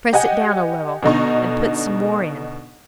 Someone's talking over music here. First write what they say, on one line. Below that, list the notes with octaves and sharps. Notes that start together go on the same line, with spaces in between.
Press it down a little, and put some more in.
G4 D#5 F#5 G#5
B2 D3 D#4 C#6